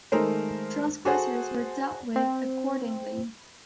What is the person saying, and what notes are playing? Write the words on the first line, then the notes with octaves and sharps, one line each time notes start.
Transgressors were dealt with accordingly.
D#3 G#3 A3 D#4 A#4 C5
F#4 G#4 A4 C5 F#5 G#5
C4